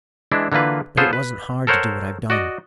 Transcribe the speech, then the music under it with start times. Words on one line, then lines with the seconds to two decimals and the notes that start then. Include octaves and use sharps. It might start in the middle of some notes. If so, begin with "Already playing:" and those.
But it wasn't hard to do what I've done.
0.32 E3 G#3 D4 E4
0.52 D3 E3 A#3 F4 B4
0.97 B3 F4 G#4 A4 C5 C#5
1.13 B4
1.67 A4 A#4 C5 C#5 F#5
2.30 F#4 D5 D#5